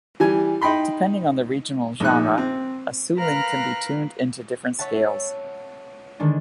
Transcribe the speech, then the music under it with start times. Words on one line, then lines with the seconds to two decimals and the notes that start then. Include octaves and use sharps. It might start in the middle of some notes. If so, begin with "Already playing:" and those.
Depending on the regional genre, a suling can be tuned into different scales.
0.20 E3 G3 G#5
0.61 D#4 G5 B5 C6
2.00 A#1 G#2 F#6
2.38 C4
3.18 A#4 B4 F5 A#5 F6 F#6
4.79 C#5 E5 F#5 A5
6.19 D3 D#3 G#3 D4